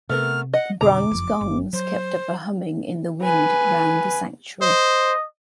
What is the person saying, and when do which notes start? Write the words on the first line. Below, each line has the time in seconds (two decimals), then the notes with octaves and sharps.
The bronze gongs kept up a humming in the wind round the sanctuary.
0.09 C3 A3 B3 A#4 F6
0.54 D#5 F#5
0.81 F2 B2 D3 A#5 D6
1.11 F#1 F2
1.41 G1
1.73 F#3 C5
3.22 B4 G#5
4.62 C5 D#5